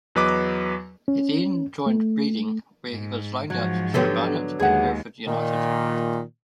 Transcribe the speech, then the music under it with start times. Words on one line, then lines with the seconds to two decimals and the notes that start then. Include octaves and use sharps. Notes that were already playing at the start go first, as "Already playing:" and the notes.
He then joined Reading, where he was loaned out to Barnet and Hereford United.
0.15 E2 F#3 B4 D#5 D6
1.08 C#4
1.86 A3
2.88 G#2
3.50 G#2 F3 F#3
3.94 D3 F#3 B3 G4 A4
4.60 D#2 G#3 G#4 F#5
5.28 A#2 D#3